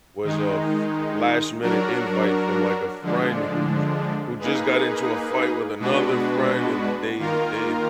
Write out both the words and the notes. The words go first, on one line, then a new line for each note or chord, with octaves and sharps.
was a f last minute invite from, like, a friend who's, who just got into a fight with another friend, and they they
D#3 G#3 D#4
F#3 D4 F#4 A#4
D3 F3 G#3 D4
A#3 D#4 G#4 B4
B2 G#3 D4 F#4 B4
D#3 A#3 F4 A#4